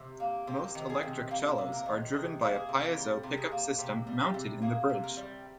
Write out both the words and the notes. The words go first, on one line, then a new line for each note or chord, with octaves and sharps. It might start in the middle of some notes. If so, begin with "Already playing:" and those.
Most electric cellos are driven by a piezo pickup system mounted in the bridge.
Already playing: C3
A#3
C3 G4
D#3
G#4
C3
A#3 A#4
C3
A#4
D#3
C3 G#4
A#3
G#4
C3
G3 A#4
C3
G#4
A#3
C3 G4
G3
G4
C3
A#3 G#4
C3
A#4
G3